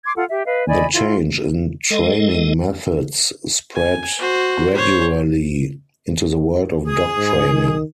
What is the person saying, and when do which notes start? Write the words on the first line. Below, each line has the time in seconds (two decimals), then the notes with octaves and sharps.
The change in training methods spread gradually into the world of dog training.
0.04 C6 D6 G#6
0.16 F4 A4 F#5
0.30 G4 E5
0.45 B4 D#5 F5
0.68 D5 D#5 G#5 B5
0.93 E4 F4
1.90 G#3 A4 D#5
3.75 G#5
4.19 F#4 C5
4.73 C5 C#5
6.85 G#4 D#6
7.17 G#2
7.50 D#3